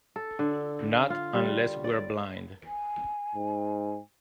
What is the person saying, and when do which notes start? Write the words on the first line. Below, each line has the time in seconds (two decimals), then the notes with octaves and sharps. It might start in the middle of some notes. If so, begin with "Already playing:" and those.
Not unless we're blind.
0.16 A4
0.39 D3
1.10 F4
1.34 G3
1.84 D5
2.66 G#5
3.35 G#2